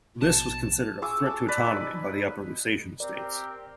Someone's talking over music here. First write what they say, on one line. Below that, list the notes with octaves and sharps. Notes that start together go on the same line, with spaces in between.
This was considered a threat to autonomy by the Upper Lusatian estates.
A#1 B2 A5
G#4 C#6 D6 E6
A5
B4 D5
D#4 G#5
C4 G4 A#4 D5